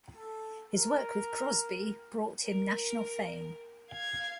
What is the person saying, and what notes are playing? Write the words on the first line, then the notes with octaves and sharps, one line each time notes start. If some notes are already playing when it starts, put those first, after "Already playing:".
His work with Crosby brought him national fame.
A4
A#4
A#4
F5 G#6